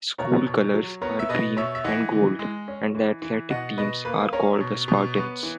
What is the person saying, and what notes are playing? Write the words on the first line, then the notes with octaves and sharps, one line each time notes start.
School colors are green and gold, and the athletic teams are called the Spartans.
B2 A#4 C#5
B2
F#3
B3 A#4 C#5
E5
B2 B4 D#5
B2 C#5 E5
E5
E3 D#5 F#5
E3
G#3
C#4
E3
E3
B2 D#5 F#5
B2 B4 D#5
A#3 B4
C#4 A#4 C#5
B2
B2
B3
E3